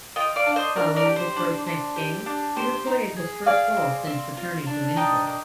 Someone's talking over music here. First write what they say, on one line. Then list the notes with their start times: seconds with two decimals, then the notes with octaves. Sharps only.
Following Detroit's next game, he recorded his first goal since returning from injury.
0.16 F4 D#5 G5
0.36 D5 F5
0.46 D4
0.56 C5 D#5
0.76 D4 A#4 D5
0.96 A#4 D5
1.06 G4
1.16 C5
1.36 D4
1.66 D4
1.96 G4
2.26 D4
2.56 G4 C5
2.87 D#4
3.17 G#4
3.46 G#4 D5 F5
3.77 C4
4.07 C4
4.37 F4
4.67 D4
4.96 D#4 D#5 G5
5.27 A#3